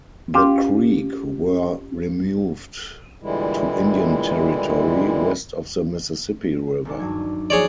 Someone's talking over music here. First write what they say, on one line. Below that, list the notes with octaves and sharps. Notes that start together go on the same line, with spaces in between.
The Creek were removed to Indian Territory west of the Mississippi River.
C#4 F4 G4
A#2 D3 E3 G3 G#3 E4
D#2 G#3 D4
G2 F#3 G#6
F3 A#3 F#4 G#4 C#5 D5